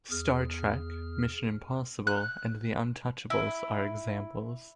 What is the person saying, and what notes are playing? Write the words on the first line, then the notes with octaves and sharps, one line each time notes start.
"Star Trek", "Mission Impossible", and "The Untouchables" are examples.
E2 G#4 F6
F#6
E4